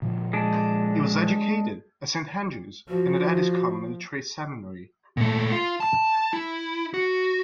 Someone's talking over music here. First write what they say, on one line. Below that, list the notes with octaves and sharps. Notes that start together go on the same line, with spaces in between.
He was educated at Saint Andrews and at Addiscombe Military Seminary.
A#2 D3 F3
G#3 D4
F3 F#4
A#2 A3
F4
A5
E4
F#4